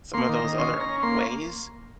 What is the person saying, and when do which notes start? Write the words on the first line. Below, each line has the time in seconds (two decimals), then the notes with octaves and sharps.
some of those other ways,
0.14 A#3 C6
0.29 D#3
0.36 A#5
0.44 D#3
0.58 C#4 C6
0.73 C#4
0.80 A#5
0.89 C#4
1.03 A#3 C6